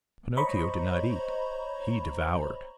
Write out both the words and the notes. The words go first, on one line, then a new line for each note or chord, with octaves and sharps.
Pinocchio did not eat; he devoured.
C5 C#5 D#5 A#5 B5 C#6